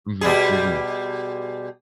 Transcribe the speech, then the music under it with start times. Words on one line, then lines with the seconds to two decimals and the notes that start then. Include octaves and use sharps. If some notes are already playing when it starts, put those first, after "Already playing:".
Mhm, mhm.
0.21 B2 G3 G#4